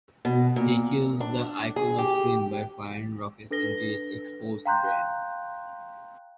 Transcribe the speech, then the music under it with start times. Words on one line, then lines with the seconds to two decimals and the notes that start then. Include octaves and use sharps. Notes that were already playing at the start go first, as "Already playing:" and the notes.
He kills the Icon of Sin by firing rockets into its exposed brain.
0.25 B2
0.56 A#2
1.20 D4
1.76 G#4
1.98 G4
3.51 D4 A4 B4 A#6 G7
4.66 F5 G5 A#5 C6 F#6 G6